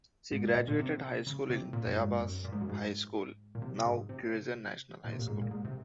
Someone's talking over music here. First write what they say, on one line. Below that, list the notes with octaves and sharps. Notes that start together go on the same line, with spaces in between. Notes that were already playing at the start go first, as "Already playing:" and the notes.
She graduated high school in Tayabas High School now, Quezon National High School.
G#2
C3
A#2
A#2
C3
C#3
C3
A#2
F#2
G#2
F#2
A#2
G#2
F#2
G#2
A#2
C3
G#2
C3
A#2
C3
A#2
G#2
A#2
G#2
C3